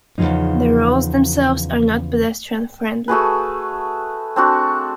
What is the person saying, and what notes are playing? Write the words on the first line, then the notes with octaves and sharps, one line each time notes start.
The roads themselves are not pedestrian-friendly.
E2 A#2 C#3 F3 D#4
A3 F#4 G#4 B4
C4 D4 F#4